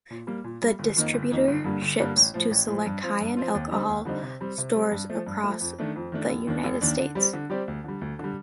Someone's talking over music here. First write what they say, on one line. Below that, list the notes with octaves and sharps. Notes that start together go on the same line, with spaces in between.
The distributor ships to select high end alcohol stores across the United States.
A#2
G3 A#3
A#2
G3 A#3
G1
F2 D#3 A#3 D#4
G1
F2 D#3 A#3 D#4
G1
G2 D3 G3 A#3
G1
G2 D3 G3 A#3
A1
A2 F3
A1
A2 F3
G2
F3 C4 F4
G2
F3 C4 F4
D#2
D3 G3 C4 D#4
D#2
D3 G3 C4 D#4
C3
G3 C4
C3
G3 C4
G2
F3 A3
G2
F3 A3
F2
D#3 A3 D4
F2
D#3 A3 D4
F1
D#2 D#3 A#3 D4
F1
D#2 D#3 A#3 D4
D3
G3 C4 G4 D5
D3
G3 C4 G4 D5
D2
D3 G3
D2
D3 G3